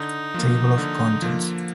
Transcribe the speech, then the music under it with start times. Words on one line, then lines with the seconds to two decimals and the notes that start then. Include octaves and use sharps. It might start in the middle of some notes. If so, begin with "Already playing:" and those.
Table of Contents.
Already playing: D3 D#4
0.34 F3 A#3
0.78 D3
1.22 F3 A#3